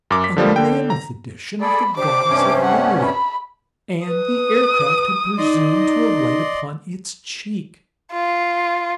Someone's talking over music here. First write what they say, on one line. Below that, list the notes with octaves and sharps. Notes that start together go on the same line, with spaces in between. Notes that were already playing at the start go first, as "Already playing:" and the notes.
A mammoth edition of the Goddess of Liberty; and the aircraft had presumed to alight upon its cheek!
F#2 D6
B6
D3 F3 G3 A#3
D3 G5
A#5
G#4 A4 D5 B5
D4 G4 C5 D6
G2 C3 C#4
F#5
B5
B4 D#6
D#4 D5 D#5 C6
F4